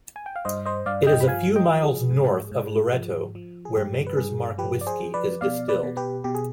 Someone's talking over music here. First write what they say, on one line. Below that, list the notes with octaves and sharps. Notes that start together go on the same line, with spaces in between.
It is a few miles north of Loretto where Maker's Mark whiskey is distilled.
G#5
G5
F5
G2 C5 D#5
C5 D#5
G2 D5 F5
D#5 G5
B5
F3 F5 G#5
D#5 G5
F3
G#4
G#2
G#2
F3
F3
G#4
G2 G4
B4
G2 G#4
F3 G4 B4
D5
G#4 C5
F3
B4 D5
B2 D5 F5
B4 D5
B2
G4 B4
B2 G4
G#4